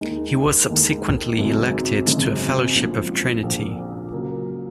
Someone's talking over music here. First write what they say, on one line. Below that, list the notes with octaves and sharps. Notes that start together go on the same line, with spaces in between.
He was subsequently elected to a Fellowship of Trinity.
D#2 D#3 G#3 D#4
D#2 D#3 G#3 D#4
G#1 F#2 C#3 G#3
G#1 F#2 C#3 G#3
A#1 A#2 F3
A#1 A#2 F3
C#3 F#3 A#3